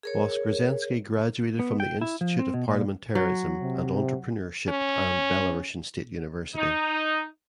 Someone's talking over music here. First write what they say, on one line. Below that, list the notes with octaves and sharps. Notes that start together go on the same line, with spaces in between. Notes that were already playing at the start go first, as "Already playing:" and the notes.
Voskresensky graduated from the Institute of parliamentarism and entrepreneurship and Belarusian State University.
G#4 A#4 C#5
B3
G5
E4
F3
C4
B2
A#2
F#3
C3
C#4
D#4